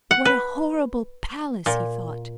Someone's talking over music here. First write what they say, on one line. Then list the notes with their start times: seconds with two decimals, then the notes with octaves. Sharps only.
What a horrible palace! he thought.
0.11 F#5
0.25 B4
1.66 A#2